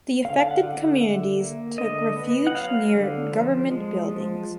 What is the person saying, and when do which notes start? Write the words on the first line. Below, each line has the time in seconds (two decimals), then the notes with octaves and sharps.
The affected communities took refuge near government buildings.
0.25 D3 F5
0.38 F5
0.51 F#5
0.63 D3
0.75 F#5
1.01 D3 E5
1.40 A#3
1.78 D3 D#5
2.16 B3
2.47 F#5
2.55 F#3 F5
2.94 D3
3.32 F3
3.71 G#3
4.08 F3